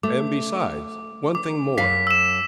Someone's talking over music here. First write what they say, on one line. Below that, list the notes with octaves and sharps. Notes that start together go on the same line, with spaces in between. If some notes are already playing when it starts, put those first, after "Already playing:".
And besides--one thing more!
A3 D6
D6
F#2 F5 B6
E6 E7